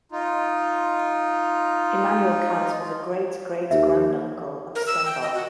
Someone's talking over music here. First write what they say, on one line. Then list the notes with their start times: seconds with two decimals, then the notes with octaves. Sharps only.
Immanuel Kant was a great-great-granduncle of Stenbock.
0.12 D#4 F4
3.71 D#2 E5
4.75 A#4
4.87 E6
5.06 G5
5.22 D#5
5.34 F#4